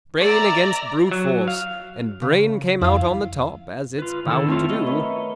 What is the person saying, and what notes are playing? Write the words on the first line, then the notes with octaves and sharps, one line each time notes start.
'Brain against brute force--and brain came out on the top--as it's bound to do.
D5 E5 A#5
F#3
F5
C#3
F2 E4 F5
F4 B4
D#3 E4 A4
A3 C4 F4 C#5
B3 A4 D#5
A#4 C#5 E5